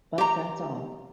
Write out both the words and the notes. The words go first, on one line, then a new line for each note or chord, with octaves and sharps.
But that's all.
G4 A#5